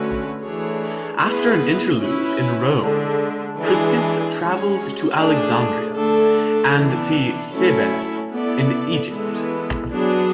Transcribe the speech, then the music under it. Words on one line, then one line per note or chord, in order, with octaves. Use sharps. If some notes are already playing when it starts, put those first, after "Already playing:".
After an interlude in Rome, Priscus traveled to Alexandria and the Thebaid in Egypt.
Already playing: D3 A3 C#4 F#4 B4
E3 A3 D4 G#4 C#5
B3 E4 G#4 B4
C#4 E4 B4
D3 G#3 D4
E3 G#3 D4 G#4
G#3 C#4 F#4 C#5
A3 D4 G#4
D3 A3 D4 A4
E3 B3 D4
F#3 A3 C#4 E4 A4
B3 E4 A4 D5
E3 G#3 B3 E4 A4
F#3 B3 D4 G#4